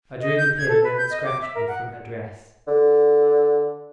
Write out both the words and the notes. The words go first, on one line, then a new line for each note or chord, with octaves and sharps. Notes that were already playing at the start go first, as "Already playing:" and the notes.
I drew the pin that had scratched me from her dress.
D#5
G6
G#6
A4
B4
G6
D#5
D6
E5
A#4
F#5
D3